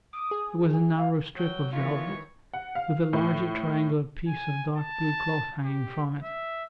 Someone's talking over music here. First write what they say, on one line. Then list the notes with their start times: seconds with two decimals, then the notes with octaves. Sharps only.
It was a narrow strip of velvet with a larger triangular piece of dark blue cloth hanging from it.
0.13 D6 D#6
0.31 G#4
0.72 G#5
0.97 F5
1.37 F#3 G5
1.73 D#3 E3 B3 F4 C#5
2.54 F#5
2.75 F5
3.13 A2
4.27 G#5
4.77 A5
5.65 G4
6.22 E5